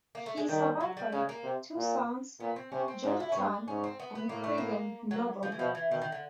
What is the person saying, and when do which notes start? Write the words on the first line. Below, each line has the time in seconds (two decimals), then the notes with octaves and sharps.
He is survived by two sons, Jonathan and Craigan Noble.
0.15 A#3
0.26 A3
0.37 G#3
0.48 D#3 G3
0.80 F#3
0.97 G3
1.12 C#3 G#3
1.29 A#3
1.44 C3
1.77 A#2
2.40 A#2 B3
2.56 C4
2.72 C3 C#4
2.88 C4
3.03 G#2 D4
3.20 E4
3.32 C#4
3.35 G2 D4
3.68 G#2 C#4
3.84 C4
4.00 B3
4.15 B3
4.29 A2 A#3
4.44 A3
4.58 A#3
5.11 F#3
5.43 F3
5.52 E3
5.58 B2 F3
5.75 E3
5.91 B2 D#3
6.02 D#3
6.12 D3